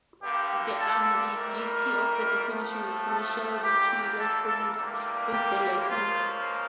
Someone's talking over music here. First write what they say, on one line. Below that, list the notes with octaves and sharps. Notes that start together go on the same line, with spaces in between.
The ambiguity of the definition "commercial" lead to legal problems with the license.
G2 D3 G3 A#3 G4
A4
F2 E3 G3 A#4
A2 F3 A3
A4
E2 E3 A#3 G4
A4
A4
E2 D3 G3 A#3
G4
C#2 C#3 F3 A#3 F4